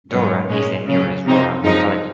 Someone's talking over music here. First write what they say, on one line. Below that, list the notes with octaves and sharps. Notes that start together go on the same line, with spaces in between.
Dora is the nearest rural locality.
G#2 D#3 F#3 C#4
A#2 G#3 C#4
C#3 F#3 C#4
C3 F3 C4 D#4
F#2 F3 G#3 D#4